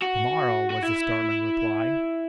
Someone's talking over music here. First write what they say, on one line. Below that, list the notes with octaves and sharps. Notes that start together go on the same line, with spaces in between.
"To-morrow," was the startling reply.
F#4
F#4
E4